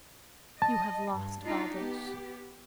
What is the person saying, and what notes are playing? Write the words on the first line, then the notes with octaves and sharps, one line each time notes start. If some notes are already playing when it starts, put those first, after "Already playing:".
You have lost Baldos.
D#5 A5
G2
D4 D#4 F4
B3 G4